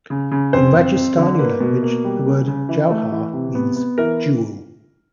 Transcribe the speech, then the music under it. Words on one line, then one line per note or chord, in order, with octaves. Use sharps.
In Rajasthani language, the word "jauhar" means "jewel".
C#3
C#3
F2 C5
F2
F2
D3
A#3 B4
B2
A#3
G3
C#3
C#3
E3
A3
E3
C3
B3
B3
E3 A#4